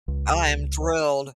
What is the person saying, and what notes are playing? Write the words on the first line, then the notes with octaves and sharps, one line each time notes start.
I am thrilled.
C#2